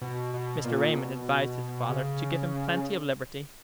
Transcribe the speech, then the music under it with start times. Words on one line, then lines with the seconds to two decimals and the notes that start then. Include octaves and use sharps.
Mr. Raymond advised his father to give him plenty of liberty.
0.01 B2
0.34 B2
0.64 A#2
0.95 B2
1.89 C#3